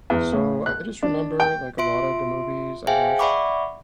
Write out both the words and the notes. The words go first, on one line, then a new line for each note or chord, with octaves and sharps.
So, I just remember, like, a lotta the movies I watched,
E2
A2
F#6
D4
G5
F4 E5 C6 D7
G#4 C5 E5 F5 G5 G#5
D5 E5 F#5 B5 C#6 D6